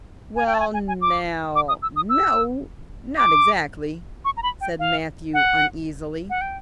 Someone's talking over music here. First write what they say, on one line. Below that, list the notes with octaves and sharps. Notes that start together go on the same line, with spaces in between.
"Well now--no--not exactly," said Matthew uneasily.
G#5
G5
A5
G#5
G#5
G#5
D6
D6
D#6
E6
D#6
E6
D6
C#6
A#5
B5
G5
F5
F#5
F#5
G5